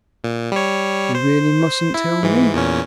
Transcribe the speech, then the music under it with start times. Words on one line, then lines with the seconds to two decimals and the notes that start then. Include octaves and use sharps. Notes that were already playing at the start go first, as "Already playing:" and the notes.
"You really mustn't tell me?"
0.24 A#2
0.52 G3 C#5
1.15 C5
1.94 E4
2.23 G#2 E3
2.54 E2 A#2 C#4